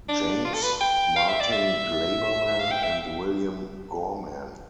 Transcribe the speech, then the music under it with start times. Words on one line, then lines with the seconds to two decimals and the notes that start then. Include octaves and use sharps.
James, Martin Glaberman, and William Gorman.
0.09 D4
0.45 F4
0.54 A4
0.63 B4
0.81 G5
1.16 F5
1.28 E5
1.40 D5
1.52 E5
2.59 F5
2.71 G5
2.83 E5